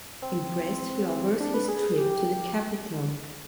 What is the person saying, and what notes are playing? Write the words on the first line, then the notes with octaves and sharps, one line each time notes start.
Impressed, he offers his trip to the capital.
C4
D4
B4
G#4
G4